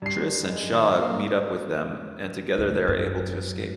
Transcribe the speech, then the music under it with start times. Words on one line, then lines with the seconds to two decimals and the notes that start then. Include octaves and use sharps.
Triss and Shogg meet up with them, and together they are able to escape.
0.02 G2 G3 C7
0.43 G#3
0.72 D#3
1.01 A#3
2.58 D2
2.88 F#2